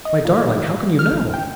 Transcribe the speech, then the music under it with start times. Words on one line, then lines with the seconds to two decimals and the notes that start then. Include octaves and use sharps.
"My darling, how can you know?"
0.05 D#5
0.25 A#2
0.49 D#3
0.99 F6
1.11 A1
1.34 G5